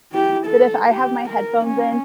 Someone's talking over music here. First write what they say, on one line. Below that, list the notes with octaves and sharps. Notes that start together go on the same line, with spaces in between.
that if I have my headphones in,
E4 G4
A4
G4
A#4
C#4